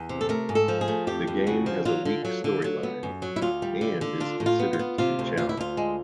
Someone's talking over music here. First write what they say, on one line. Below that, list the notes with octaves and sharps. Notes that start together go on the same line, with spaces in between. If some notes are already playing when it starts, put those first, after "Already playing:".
The game has a weak storyline, and is considered to be challenging.
Already playing: E2
C3
A4
A3 A#4
G#2
A4
F3
G#4
A3
F2 G4
F2
C#3 F#4
F3
F#3 F4
D3
F#3
D3
F#3
B3
F#2
F#3
E4
D2 F4
G3
D3
D3
D4 F4
A2
F4
B3
F4
B3
C3 F4
D2
D2 F4
E4
D2 F4
G#3